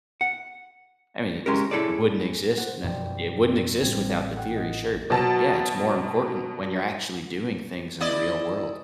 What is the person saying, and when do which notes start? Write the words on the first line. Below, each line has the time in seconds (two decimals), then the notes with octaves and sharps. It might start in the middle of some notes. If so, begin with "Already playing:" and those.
I mean, it's it wouldn't exist nece it wouldn't exist without the theory, sure, but, yeah, it's more important when you're actually doing things in the real world.
0.21 F#5
1.46 G#3 C#4 G4 A#4
1.71 E4 G#4 A4 C#5 D5
2.58 C5 F#5
2.84 F#2 B2 F3 D5 G5
3.80 A1 G3 C4 G#6
4.35 A4 F#5 G5
4.56 D#5 F#5
5.10 B2 F#3 A5
8.01 E4 D5 D#5